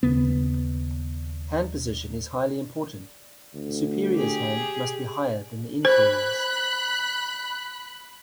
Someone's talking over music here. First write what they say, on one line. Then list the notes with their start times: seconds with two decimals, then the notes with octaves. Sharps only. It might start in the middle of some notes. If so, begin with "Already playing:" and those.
Hand position is highly important; the superior's hand must be higher than the inferior's.
0.03 D#2 C#3 B3
3.54 D2
4.15 G4 G#4
5.85 C5 B5 F#6 B6